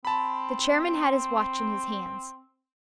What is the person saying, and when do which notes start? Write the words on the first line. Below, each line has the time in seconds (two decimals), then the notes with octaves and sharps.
The chairman had his watch in his hands.
0.05 C4 A5 B5